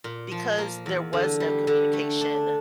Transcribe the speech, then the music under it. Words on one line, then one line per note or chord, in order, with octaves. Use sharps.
because there was no communication
A#2
F3
A#3
E2
D3
G3
D3
A3
D4